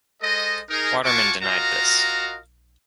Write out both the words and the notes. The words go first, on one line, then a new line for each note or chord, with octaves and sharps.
Waterman denied this.
G#3 A4 C5 D#5
D#4 G#4 A#4
F4 F#4 G#5 A5 C#6 D6
F4 F#4 A#4 D#5 F5 A#5